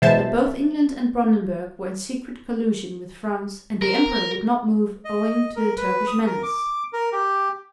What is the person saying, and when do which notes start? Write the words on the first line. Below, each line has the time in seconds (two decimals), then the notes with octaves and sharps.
But both England and Brandenburg were in secret collusion with France, and the emperor would not move owing to the Turkish menace.
0.02 B2 E3 G#3 C5 E5 A5
3.82 A#4
5.05 D#5
5.56 A#4
5.77 B4
6.07 D#6
6.27 A#4
6.43 D6
6.93 A#4
7.12 G4